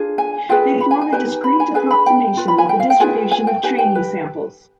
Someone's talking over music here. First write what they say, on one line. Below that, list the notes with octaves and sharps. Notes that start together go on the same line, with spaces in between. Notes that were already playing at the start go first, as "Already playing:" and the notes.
They form a discrete approximation of the distribution of training samples.
Already playing: D4 F4 G#4
G#5
F4 G#4 B4 G5
B5
G#5
G#5
D#4 G4 B4 G#5
B5
G#5
D4 G#4 B4 G#5
B5
G5
F4 B4
B5
G#5
G5
F5
G5
F4 G#4 B4 G#5
G#5
G5
D#4 G4 B4 G#5
G5
B4